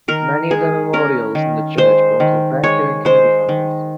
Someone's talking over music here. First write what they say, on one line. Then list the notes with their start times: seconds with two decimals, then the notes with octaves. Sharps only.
Many of the memorials in the church belong to the Baker and Kirby families.
0.08 D#3 A#4
0.51 G#3 G#4
0.93 C#4 A#4
1.35 D#3
1.77 G#3 C5
2.20 D#3
2.63 G#3 C#5
3.05 G#3 C5
3.49 D#3